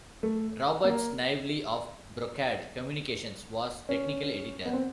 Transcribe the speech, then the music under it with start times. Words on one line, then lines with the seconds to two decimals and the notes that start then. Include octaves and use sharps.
Robert Snively of Brocade Communications was technical editor.
0.23 A3
0.84 A#3
3.89 C#4
4.66 B3
4.73 C4